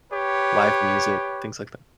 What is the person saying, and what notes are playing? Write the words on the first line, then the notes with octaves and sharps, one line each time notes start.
live music." things like that?
G4 B4 C#5